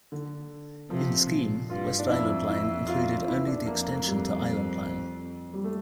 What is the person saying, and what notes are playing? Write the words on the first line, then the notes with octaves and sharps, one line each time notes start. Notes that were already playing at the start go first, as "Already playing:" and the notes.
In the scheme, West Island Line included only the extension to Island Line.
D3
C3 F3
A#2
G2 F4
D4
F2 E4
E4
F4
E2 E4
D4
F2 A#3
A3
G3
G3
A3